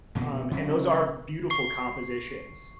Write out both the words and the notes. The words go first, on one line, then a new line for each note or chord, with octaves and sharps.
Um, and those are beautiful compositions.
F1 B2 A#3
C#3 F#3 C4 C#4
C#6 C7